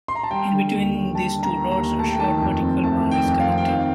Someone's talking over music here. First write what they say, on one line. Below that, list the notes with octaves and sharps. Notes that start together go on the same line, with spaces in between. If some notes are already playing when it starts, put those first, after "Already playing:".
In between these two rods, a short vertical bar is connected.
C6
A#5
A5
G3 G5
D3
D#2
D#2
G3 A5
D3
A#5
D#2
A#5
D#2
A3 A5
G5
D#3 A5
F2
C4
A3 A5
D#3
G5
F2
F5
C4
G5
D#3 F5